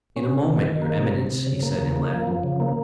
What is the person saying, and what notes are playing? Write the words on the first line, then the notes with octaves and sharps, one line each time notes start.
"In a moment, your Eminence," he said in Latin.
C#4
C3
D#3
D#3
A#3
C3
C3
C3
C#3
A#3
C#3
A#3
F3
F3
C#3
A#3